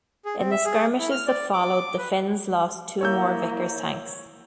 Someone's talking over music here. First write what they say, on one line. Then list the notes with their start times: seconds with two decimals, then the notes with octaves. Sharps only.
In the skirmishes that followed, the Finns lost two more Vickers tanks.
0.25 G#4
0.38 C4
0.51 E5
0.65 G#4
0.99 E4
1.11 F6
1.27 D5
1.53 D6
1.98 B4
3.01 A#3 E4 C#5 E6 G6